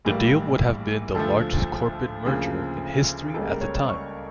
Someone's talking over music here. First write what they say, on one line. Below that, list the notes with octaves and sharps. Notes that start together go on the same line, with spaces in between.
The deal would have been the largest corporate merger in history at the time.
A#1 A2 E3 G3 A#3
D2 D3 F3 A3 A4
D2 C#3 F3 A#3
C#2 C#3 G3 A#3 A4
A#4
C#5
D5
C#6